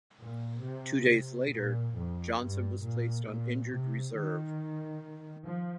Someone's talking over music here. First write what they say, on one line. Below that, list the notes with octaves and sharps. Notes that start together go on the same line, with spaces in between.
Two days later, Johnson was placed on injured reserve.
A#2
C3
C3
A#2
F2
G2
A#2
A#2
C3
D#3
F3